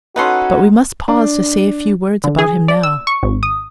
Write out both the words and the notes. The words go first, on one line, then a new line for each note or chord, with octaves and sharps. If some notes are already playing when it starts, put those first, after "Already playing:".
But we must pause to say a few words about him now.
C#4 D#4 F#4 A4 B4 F#5 C6
D4
D3
G#4
D5
E6
C#6
G#1
D#6